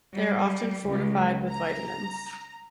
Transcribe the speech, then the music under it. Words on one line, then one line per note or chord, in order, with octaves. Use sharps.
They are often fortified with vitamins.
G3
C#2
A#5